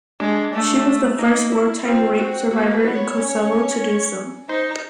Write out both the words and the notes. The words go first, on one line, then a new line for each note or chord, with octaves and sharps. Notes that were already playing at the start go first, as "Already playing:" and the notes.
She was the first wartime rape survivor in Kosovo to do so.
G#3 D4
A3
A#3 D#4
E4
C4 F4
C4 F#4
A#3 F#4
A#4
B4
B3
C#5
C#4
D#4 C5